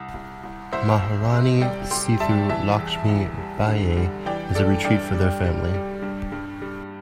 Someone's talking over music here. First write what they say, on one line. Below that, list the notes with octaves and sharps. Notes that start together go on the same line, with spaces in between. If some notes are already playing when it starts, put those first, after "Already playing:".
Maharani Sethu Lakshmi Bayi, as a retreat for their family.
Already playing: C2
C2
C2
C2 C5 E5
C2
C3
G3 D5 G5
G3 G5 C6
G3 E5 A5
E3 E5 A5
E2
E2
G3
D3
G3
E3 D5 G5
G2 A4 D5
G2 D5 G5
G3
G3
G3
G2
G2
G3